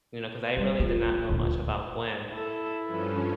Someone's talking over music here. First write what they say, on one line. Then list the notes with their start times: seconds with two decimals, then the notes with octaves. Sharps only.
you know, 'cause I really did not know much about Gwen,
0.57 G3
0.80 F4
1.29 D2 A#2
2.31 E4 A4 A5
2.87 G2 F3 C#4 A4 B4